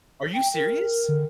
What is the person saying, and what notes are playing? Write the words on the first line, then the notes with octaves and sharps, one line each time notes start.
Are you serious?
G5
A#4
D3